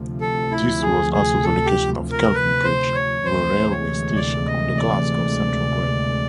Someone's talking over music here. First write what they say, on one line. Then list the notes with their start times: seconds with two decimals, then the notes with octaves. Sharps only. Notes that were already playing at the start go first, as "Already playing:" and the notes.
This was also the location of Kelvinbridge railway station on the Glasgow Central Railway.
Already playing: D2 C3 F3
0.21 A4
0.52 E4
0.82 G#4
1.13 G#4
1.43 A4
1.66 G4
2.11 A#4
2.34 B4
2.64 C5
2.95 C#5
3.25 D2 C3 E3 G#3 C5
3.71 C#5
4.16 D5
4.47 D#5
4.77 D5